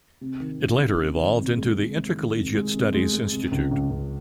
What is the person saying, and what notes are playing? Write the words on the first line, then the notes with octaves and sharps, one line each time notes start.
It later evolved into the Intercollegiate Studies Institute.
C3
D#3
D#3
C#4
C3
D#3
C3
G#3
C3
G#3
D#3
C3
G#3
C3
G#3
G#3
C3
C#2
C#2
C#2